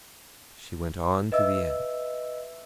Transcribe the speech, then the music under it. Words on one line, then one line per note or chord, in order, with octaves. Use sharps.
She went on to the end.
B4 D#5 E5 E6